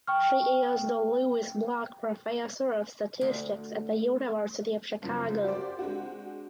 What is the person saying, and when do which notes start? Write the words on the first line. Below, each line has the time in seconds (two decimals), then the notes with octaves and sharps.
She is the Louis Block Professor of statistics at the University of Chicago.
0.07 G5 C#6 F6
3.21 D2
5.02 F#1 F#2 F3
5.44 F#4 G4 A#4 C5 D5
5.79 G#3 C4 D4 F#4